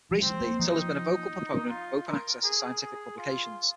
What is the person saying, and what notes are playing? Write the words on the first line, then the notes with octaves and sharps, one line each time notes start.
Recently, Till has been a vocal proponent of open access to scientific publications.
F3
G#3 C4
A#3
F3 D#4
F4
A#4
G#4
G#4
F4